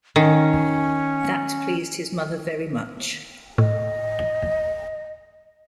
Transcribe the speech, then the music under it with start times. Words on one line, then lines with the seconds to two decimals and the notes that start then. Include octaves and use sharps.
That pleased his mother very much.
0.16 D#3 C#4
3.58 A2 D#5